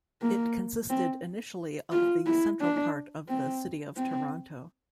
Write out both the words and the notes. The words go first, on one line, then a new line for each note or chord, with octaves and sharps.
It consisted initially of the central part of the City of Toronto.
A#3
C4
F4
E4
D4
C4
C4